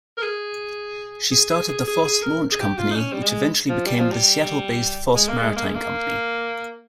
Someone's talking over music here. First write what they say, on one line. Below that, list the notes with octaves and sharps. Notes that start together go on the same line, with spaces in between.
She started the Foss Launch Company, which eventually became the Seattle-based Foss Maritime Company.
A#4
G#4
G#4
G#4
G#4
G#4
G#4
A#4
G#4
G4
F4
D#4
C#4
G3
G#3
F3
G3
F3
G3
G#3
A#3
G#3
A#3
G#3
A#3